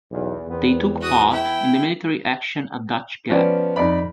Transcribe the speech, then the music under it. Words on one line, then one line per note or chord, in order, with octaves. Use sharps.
They took part in the military action at Dutch Gap.
B1 E2
E2 A#2 B3 C4
E3 B3 F#4 D#6
E4 G5
F3 B3 C#4 D5
F2 D#4 D5 B5